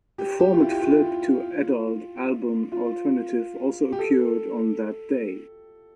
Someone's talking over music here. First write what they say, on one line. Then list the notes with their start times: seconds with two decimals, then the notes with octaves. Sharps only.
The format flip to adult album alternative also occurred on that date.
0.18 G4
0.40 G4
0.54 F4
0.61 E4
0.71 G4
0.82 F4
2.72 F4
3.92 G4
3.99 A4